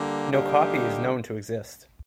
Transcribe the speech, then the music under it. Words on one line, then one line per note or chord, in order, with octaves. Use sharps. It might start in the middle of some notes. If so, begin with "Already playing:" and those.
No copy is known to exist.
Already playing: D3 G3 A#3
D3 G3 A#3 D#4 G4